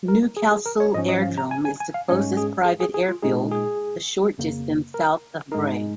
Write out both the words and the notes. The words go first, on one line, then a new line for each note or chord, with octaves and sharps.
Newcastle Aerodrome is the closest private airfield a short distance south of Bray.
A#4
G#4
G#4
A#4
C#5
G#2 F3 C#4 D#5
D#5
F5
A#5
G#5
G#5
G#5
F5
G#2 G#3 C#4 C#5
G#4
G#4
G#4
G#4
F4
A#2 G#3 D#4 G#4
G#4
F2 C#3 A#3
A#4
G#2 G#3 D#4 A#4